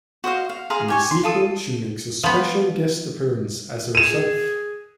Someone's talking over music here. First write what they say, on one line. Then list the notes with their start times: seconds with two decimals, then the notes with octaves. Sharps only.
In the sequel, she makes a special guest appearance as herself.
0.24 F#4 C5 D#5 F5
0.50 F5
0.70 G#4 F5 A#5 C6
0.88 G4 G#5 C#6
1.11 C6
1.23 F4 A4 D#6
2.24 F3 B3
3.95 G#4 D#7 E7